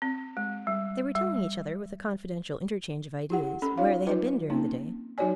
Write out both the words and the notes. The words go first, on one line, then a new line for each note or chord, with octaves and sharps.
They were telling each other, with a confidential interchange of ideas, where they had been during the day.
C4
G#3
G3
G3
E4 G4 F#5
C#4 A4 B5
D#4 F4 C#5 F5
F#3 D#4 F4 B4 D#5
A#3 C4 C#4 D#4
F#3 D#4 F#4 C#5 D5 G#5